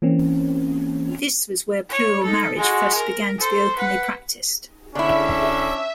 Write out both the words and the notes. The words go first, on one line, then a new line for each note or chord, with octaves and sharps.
This was where plural marriage first began to be openly practiced.
E3 A#3 C4 C#4
C#5
D#4 A4
G#3 F#4
A#4
A4 C5
B4 F#5
D3 C#4 D4 E4 E5